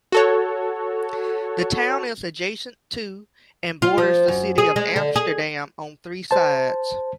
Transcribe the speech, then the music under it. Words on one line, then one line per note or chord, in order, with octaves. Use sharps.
The town is adjacent to and borders the city of Amsterdam on three sides.
F#4 A4 C#5
F4
F3
F#2
G#4
G#3
D3
G#4
C5 A5